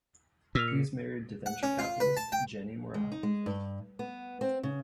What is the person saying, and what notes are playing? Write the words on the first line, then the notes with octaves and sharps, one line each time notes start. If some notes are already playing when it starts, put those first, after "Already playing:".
He is married to venture capitalist Jenny Morel.
A#2 E6 F6 F7
C#7
F#5
C#4
F4
B4
A5
G5
G#3
D#4
G#3
G2
B3
C4
C#3